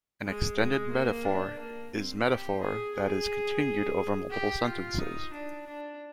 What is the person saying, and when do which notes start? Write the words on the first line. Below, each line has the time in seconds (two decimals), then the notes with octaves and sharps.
An extended metaphor is metaphor that is continued over multiple sentences.
0.24 G#3
0.57 G#3
0.92 A#3
1.25 D4
1.60 A#3
1.94 C4
2.27 G4
2.61 G#4
2.95 G#4
4.30 G4
4.65 F4
4.99 D#4
5.33 D4
5.66 D4